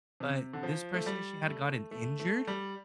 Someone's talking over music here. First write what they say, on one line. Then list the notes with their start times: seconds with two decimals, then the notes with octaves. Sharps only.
but this person, she had gotten injured
0.20 C3
0.53 D3
0.63 F3
0.94 A3
1.06 G3
1.48 A3
1.91 A3
2.20 A3
2.47 G3